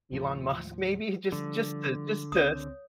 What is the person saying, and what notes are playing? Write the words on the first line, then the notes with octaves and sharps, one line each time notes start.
Elon Musk, maybe, just just to just to,
D#2 A2 F3
D3 F3 G3
C#2 C4 C#5 D#6